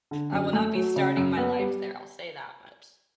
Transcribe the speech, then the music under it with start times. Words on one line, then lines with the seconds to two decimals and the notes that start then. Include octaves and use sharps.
I will not be starting my life there, I'll say that much.
0.11 D3
0.33 F#2
0.53 A3
0.75 F#3
0.96 C#3
1.17 F#2
1.37 B3
1.59 G3